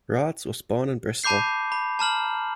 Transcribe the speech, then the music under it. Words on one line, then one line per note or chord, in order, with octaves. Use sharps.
Rahtz was born in Bristol.
A5 B5 D6 G6 C7
B5
A5 A#5 F6 F#7